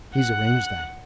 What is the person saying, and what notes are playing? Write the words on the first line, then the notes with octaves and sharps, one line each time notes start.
He's arranged that.
F#5 F#6